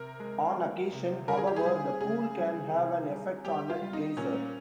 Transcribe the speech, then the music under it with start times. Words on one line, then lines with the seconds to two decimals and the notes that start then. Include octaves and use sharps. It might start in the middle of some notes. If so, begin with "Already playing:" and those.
On occasion, however, the pool can have an effect on a geyser.
Already playing: C3 A#4
0.20 G#3
0.56 G#3
0.93 C3
1.28 G3 A#4
1.37 G#4
1.47 G4
1.56 G#4
1.65 G3
2.01 C#3 G#4
2.37 G3
2.73 C3
3.09 G3
3.45 G3 G4
3.70 F4
3.82 G3
3.93 D#4
4.17 A#2 C#4